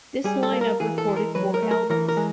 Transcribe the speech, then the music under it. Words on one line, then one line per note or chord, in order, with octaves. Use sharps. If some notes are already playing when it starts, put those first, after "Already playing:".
This line up recorded four albums.
G3 G#4
A4
A#3
A#4
E3 G#4
A4
G#3
A#4
F#3 B4
A#4
A3
A#4
E3 A#4
A#4
G#3